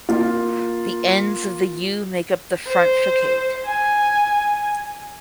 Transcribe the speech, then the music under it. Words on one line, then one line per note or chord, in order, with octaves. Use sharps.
The ends of the "U" make up the front facade.
A#3 F4
C5
G#5